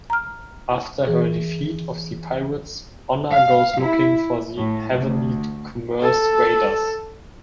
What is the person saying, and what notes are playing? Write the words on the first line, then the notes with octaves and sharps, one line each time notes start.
After her defeat of the pirates Honor goes looking for the Havenite commerce raiders.
A#5 F6
E3 G#4
F5
E4
A2
D2
A4